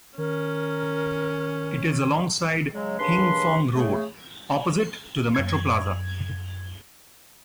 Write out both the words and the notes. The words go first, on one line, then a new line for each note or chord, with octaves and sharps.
It is alongside Hing Fong Road, opposite to the Metroplaza.
D#3 C#4 A#4
C#3 F#3 G#3
D#2 C#3 D4 B4 C6
C#3 A3 G#4
F#2 G#6